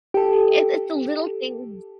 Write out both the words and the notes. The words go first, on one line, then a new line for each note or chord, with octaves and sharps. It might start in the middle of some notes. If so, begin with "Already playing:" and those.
It's it's the little things
G4 A4